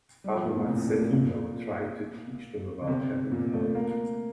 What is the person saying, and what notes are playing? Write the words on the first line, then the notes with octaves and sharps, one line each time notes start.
Father Marcellino tried to teach them about Heaven and Hell.
G3
F3
A2
A#2
C3
A#2
A2
A#2
A#2
D3
C3
A#2
A3
A#3